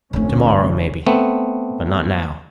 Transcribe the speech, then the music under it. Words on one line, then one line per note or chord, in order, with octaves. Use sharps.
Tomorrow maybe, but not now.
F1 D2 D3 A3 C#4
A3 B3 C4